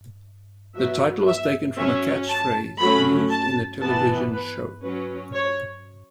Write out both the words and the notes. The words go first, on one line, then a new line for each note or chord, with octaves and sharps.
The title was taken from a catchphrase used in the television show.
F#3 B3 E5
E5
F#3 C#4 E5
A5
F#3 A3 C#4 B5
A5
E3 B3 A5
B4
F#3 C#4 B4
C#5